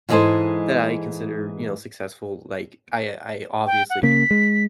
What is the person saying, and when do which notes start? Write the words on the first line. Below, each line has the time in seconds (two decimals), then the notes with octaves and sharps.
that I consider, you know, successful, like, I I obviously
0.09 G#2 E3 G#3 G#4 A4 C5
3.66 G5
3.90 F#5
4.03 C#3 A#3 B6
4.31 G#3